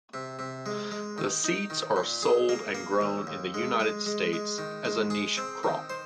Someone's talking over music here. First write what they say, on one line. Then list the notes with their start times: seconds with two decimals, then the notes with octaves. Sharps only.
The seeds are sold and grown in the United States as a niche crop.
0.14 C3
0.39 C3
0.66 G#3
0.91 G#3
1.18 D#3
1.44 D#4
1.70 D#3
1.96 A#2
2.22 G#4
2.49 A#3
2.75 A#3
3.01 D#2
3.27 D#2
3.54 G#3
3.80 G#3
4.06 G#3
4.33 G#3
4.58 D#3
4.85 G#3
5.10 G#4
5.37 C4
5.63 D#3
5.90 C5